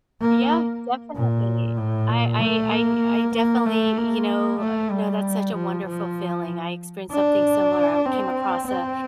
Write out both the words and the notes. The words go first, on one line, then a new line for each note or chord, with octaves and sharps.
Yeah, definitely. I I I I definitely, you know no, that's such a wonderful feeling, I experienced something similar, I came across a
A#3
A#2
A2
A#2
A3
A#3
A#3
A3
A#3
A3
G3
F3
F3
D4
C4
C4